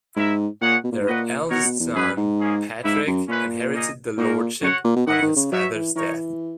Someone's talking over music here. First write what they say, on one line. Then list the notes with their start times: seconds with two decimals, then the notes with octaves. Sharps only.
Their eldest son, Patrick, inherited the Lordship on his father's death.
0.16 G#2 E4 A#4 E5
0.61 A#2 D#4 G#4 C#5 F#5
0.84 B2
0.92 A#2
1.00 G#2
1.06 A#2 F#4 B4 D#5 F#5
1.50 B2 D#4 A#4 C#5 F#5
1.65 B2
1.80 E2
1.95 F#2 C#4 G#4 B4
2.17 G#2
2.40 A#3 C#4 G#4
2.84 G#2 A#3 E4 B4 E5
3.07 F#2
3.28 A#2 G#3 C#4 E4 B4
3.73 A#3 D#4 G#4 D#5
4.17 A#2 A#3 D#4 F#4 A#4
4.62 F#2 F#4 C#5 F#5
4.84 A#2
4.96 B2
5.07 D#3 E4 B4 D#5 F#5
5.22 D#3
5.36 C#3
5.52 F#3 F#4 C#5 E5
5.75 E3
5.96 E3 D#4 A#4 C#5